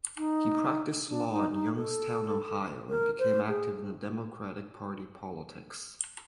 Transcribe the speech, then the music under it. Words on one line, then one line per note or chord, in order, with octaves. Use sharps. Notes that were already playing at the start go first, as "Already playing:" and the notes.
He practiced law in Youngstown, Ohio, and became active in Democratic Party politics.
D#4
D4
D#4
D#4
A4
A#4
C5
G#4